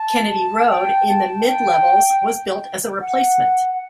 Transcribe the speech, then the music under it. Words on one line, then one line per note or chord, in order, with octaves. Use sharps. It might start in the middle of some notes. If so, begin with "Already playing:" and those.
Kennedy Road in the Mid-Levels was built as a replacement.
Already playing: A5
G5
A5
G5
F#5